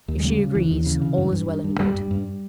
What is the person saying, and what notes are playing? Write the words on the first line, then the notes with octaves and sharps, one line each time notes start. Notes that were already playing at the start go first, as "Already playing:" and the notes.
If she agrees, all is well and good.
D#2
G#3
C#3 G3
C#3
D#2 E3
D#2
C#3
C#3
G2
G2
G2
G2
G2 G3
G2
G2